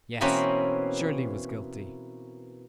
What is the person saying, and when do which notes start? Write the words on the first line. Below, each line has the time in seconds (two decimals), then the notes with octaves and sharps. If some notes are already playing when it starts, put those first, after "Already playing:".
Yes, Shirley was guilty.
0.21 B2 E3 A#3 C4 C#4